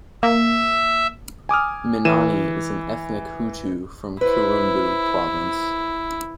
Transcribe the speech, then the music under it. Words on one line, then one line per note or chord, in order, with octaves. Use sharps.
Minani is an ethnic Hutu from Kirundo province.
A#3 E5
G#5 D6 D#6 F6
E3 D#7 E7
E4 B4 C5